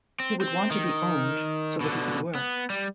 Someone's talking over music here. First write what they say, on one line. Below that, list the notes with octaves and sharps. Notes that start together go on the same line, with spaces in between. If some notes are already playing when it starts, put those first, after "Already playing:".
He would want to be owned, so that he could work.
C4
C4
D#3
B2 D3
B3
G3